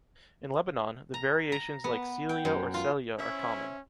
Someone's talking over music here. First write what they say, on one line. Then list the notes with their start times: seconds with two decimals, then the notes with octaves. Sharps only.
In Lebanon, the variations like Célia or Célya are common.
1.14 A#5
1.52 A#5
1.84 B3
2.29 G5
2.45 F#2
2.74 F4
3.19 C#4 E4 C5 C#5 E5